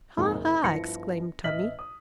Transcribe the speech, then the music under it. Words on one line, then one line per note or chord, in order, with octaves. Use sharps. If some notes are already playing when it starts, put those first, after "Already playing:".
"Ha, ha!" exclaimed Tommie.
F2 G#2 G#3 A#3 D#4
F#1
G1 F3 E4 A#6 C#7
A1 D#5 E5 F6 B6 F#7
D#6